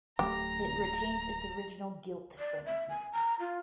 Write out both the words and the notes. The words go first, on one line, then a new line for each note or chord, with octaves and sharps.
It retains its original gilt frame.
D1 F#3 A3 G4 A#5
D5
E5
G#5
A#5
F4